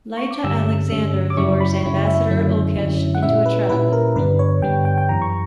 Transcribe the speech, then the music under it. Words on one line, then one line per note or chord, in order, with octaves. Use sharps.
Lyta Alexander lures Ambassador Ulkesh into a trap.
C#6
D6
G2 D3 G3 C#4 E6
G2 D3 G3 C#4
D6
F#2 C#3 F#3 C#4 E4 C#6
B5
F#2 C#3 F#3 C#4 E4
E5
F#2 D3 F#3 C#4 E4
F#2 D3 F#3 C#4 E4
F#5
A#2 G3 C#4 E4 E5
B4
A#2 G3 C#4 E4 B4
A#4
G2 D3 G3 B3 D4 B4
C#5
G2 D3 G3 B3 D4 G5
G5
G5
F#2 E3 G3 A#5
C#6